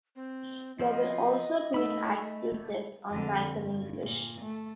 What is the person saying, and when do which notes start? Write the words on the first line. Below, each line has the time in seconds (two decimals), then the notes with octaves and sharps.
There will also be an aptitude test on Math and English.
0.16 C4
0.79 F3 B3 C4 F4 D#5
1.74 A3 D#4 B5 E6
3.08 F2 D3
3.55 G2
4.03 A#2
4.41 A3